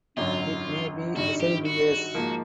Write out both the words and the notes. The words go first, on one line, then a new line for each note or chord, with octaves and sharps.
It may be deciduous.
G#1 F#2 D3 F#3 F4
G#1 G2 D#3 G3 F#4
G4
F#4
G#2 F3 A#3